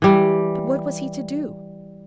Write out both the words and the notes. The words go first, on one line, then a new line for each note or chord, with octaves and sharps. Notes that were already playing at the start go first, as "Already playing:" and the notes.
But what was he to do?
E3 G3